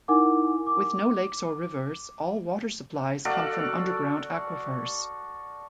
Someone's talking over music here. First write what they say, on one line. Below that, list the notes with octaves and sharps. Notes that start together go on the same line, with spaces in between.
With no lakes or rivers, all water supplies come from underground aquifers.
D#4 E4 A#4 F#5 G#5 D6
D6
F#4 A4 D5 F5